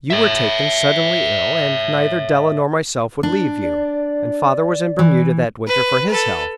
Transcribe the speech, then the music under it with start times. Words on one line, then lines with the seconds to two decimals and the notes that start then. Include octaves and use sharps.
You were taken suddenly ill, and neither Della nor myself would leave you, and father was in Bermuda that winter for his health.
0.10 C#5 E5
3.23 D4
3.62 D5
4.99 E3
5.67 B4
6.09 A4 B4